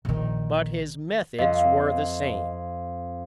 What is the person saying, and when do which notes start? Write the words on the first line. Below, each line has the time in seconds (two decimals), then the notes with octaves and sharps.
But his methods were the same.
0.05 A#1 D#3
1.39 F2 D#5 F5